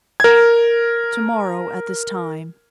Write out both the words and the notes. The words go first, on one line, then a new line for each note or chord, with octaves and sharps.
"To-morrow, at this time."
A#4 G#6